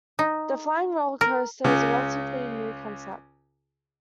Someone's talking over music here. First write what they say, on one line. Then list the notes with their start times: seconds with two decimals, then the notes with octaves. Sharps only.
The flying roller coaster is a relatively new concept.
0.19 D#4
1.21 A#4
1.64 C#2 C#3